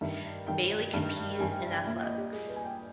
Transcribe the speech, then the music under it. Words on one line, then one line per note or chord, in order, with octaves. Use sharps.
Mali competed in athletics.
G2 D#3 E5
G2 D#3 G5
G2 D#3
G2 D#3 G#5
G5
E5
G5
A#2 E5
D#5
G4
A#2 G#4
B4
G#5
G5